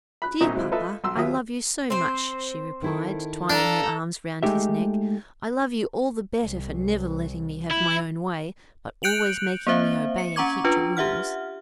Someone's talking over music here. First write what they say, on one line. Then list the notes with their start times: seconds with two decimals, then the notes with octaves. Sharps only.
"Dear papa, I love you so much!" she replied, twining her arms around his neck, "I love you all the better for never letting me have my own way, but always making me obey and keep to rules."
0.22 B5 F#6
0.41 C2 A#2 C#4 D#4 D#5 A#5
0.55 F#3 G#3 C4 E4 F4
0.71 F4 A4 B4 D#5 E5 A5
1.04 B1 C6 E6
1.16 D#2 F#3 F4 G4 E5 D#6
1.90 C4 C5
2.82 D#3 E4 A4
3.50 D4 A4 F5 A#5
4.43 G#3 A3 D#4 G4 E5
6.43 C2
7.71 E4
9.03 F#6 G6 C#7 D7 F7 F#7
9.67 A#3 C4 C5 E5 F5
10.18 C#7
10.36 C#4 F#5 A#5 C#6 D6 G#6
10.64 D4 F4 B4
10.97 G4 E5 F#5 F6